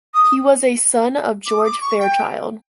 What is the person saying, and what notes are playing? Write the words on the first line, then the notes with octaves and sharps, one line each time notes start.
He was a son of George Fairchild.
D#6
D6
D#6
D6
C#6
G5